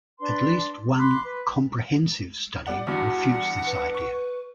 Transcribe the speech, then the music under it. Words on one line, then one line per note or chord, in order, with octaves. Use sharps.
At least one comprehensive study refutes this idea.
D4 B4 C6
B5 C6 D6 F#6
B4
G3 D5 F#5
E2 G2 D4 F#4 F#5
B4
C#6